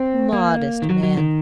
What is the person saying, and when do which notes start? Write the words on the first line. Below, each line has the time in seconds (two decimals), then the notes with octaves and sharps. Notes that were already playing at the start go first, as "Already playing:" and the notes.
'Modest man!
Already playing: C4
0.33 A#3
0.82 D#3
0.90 F#3
1.03 F#3
1.17 D#3